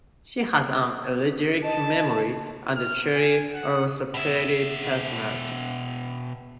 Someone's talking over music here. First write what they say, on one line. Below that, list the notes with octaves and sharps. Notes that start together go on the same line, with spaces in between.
She has an eidetic memory, and a cheery, almost perky personality.
D#5 A5
F6
G#5
F#5
B2 E5